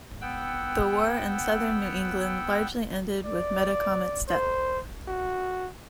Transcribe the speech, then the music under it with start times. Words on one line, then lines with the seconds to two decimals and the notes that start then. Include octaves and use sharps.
The war in southern New England largely ended with Metacomet's death.
0.21 B3 F#5 G5 E6
3.26 D5
4.28 C5
5.08 F#4